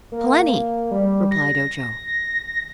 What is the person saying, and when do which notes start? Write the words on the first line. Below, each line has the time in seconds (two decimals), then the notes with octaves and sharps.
"Plenty," replied Ojo.
0.12 A#3
0.91 G3
1.31 A#6